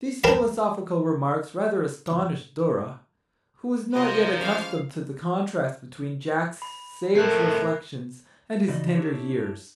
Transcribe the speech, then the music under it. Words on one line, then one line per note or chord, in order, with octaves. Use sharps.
These philosophical remarks rather astonished Dora, who was not yet accustomed to the contrast between Jack's sage reflections and his tender years.
A#4 B4 G5 A5 B5
C3 F3 A#4 C5 D#5
E3 G#3 C#4 F5 F6
B5
A2 A3 C4 A#4 F#6 G#6 C7
C#3 E3 D#4 F#4 D5 D#5
D4 E4 G4 C#5